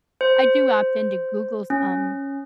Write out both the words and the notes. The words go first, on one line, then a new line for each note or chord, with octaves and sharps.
I do opt into Google's, um,
C5
C#4